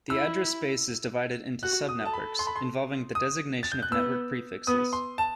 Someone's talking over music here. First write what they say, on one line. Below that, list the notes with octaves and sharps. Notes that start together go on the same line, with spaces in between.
The address space is divided into subnetworks, involving the designation of network prefixes.
E4 E6
F#4 F#6
D#6
A4 A5
B5
C6
B5
C6
D#6
A6
G6
F#6
B3 E6
B3 D#6
C6
A5